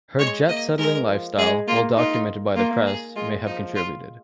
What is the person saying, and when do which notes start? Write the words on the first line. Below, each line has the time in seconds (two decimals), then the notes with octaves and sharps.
Her jet-setting lifestyle, well documented by the press, may have contributed.
0.19 G#3 C#5
0.48 A#3 D#5
0.78 G#3 A#4
1.08 F3
1.38 G#3 G#4
1.67 A#3 F4
1.97 D#4 F4
2.56 A#3 F4
2.86 G#4
3.16 G#3 F4
3.46 F3 D#4
3.75 F4